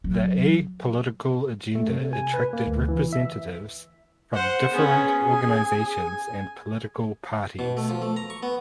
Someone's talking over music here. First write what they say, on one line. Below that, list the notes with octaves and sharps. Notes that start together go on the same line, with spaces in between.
The apolitical agenda attracted representatives from different organizations and political parties.
F#3
A3
C3
G#5
B4
A#3
D2
E3
E5
C5 F#5
B3 C#4 G#4
G#5
B2
A3
F3
A3
A#5
C#6
B3